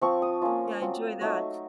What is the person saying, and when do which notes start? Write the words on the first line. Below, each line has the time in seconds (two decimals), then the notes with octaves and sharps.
Yeah, I enjoy that.
0.01 F3 C4 F4 C#6
0.22 D#6
0.42 A#3 C#4 F4
0.81 F#3 C4 F4
1.21 F#3 A3 D#4 C#6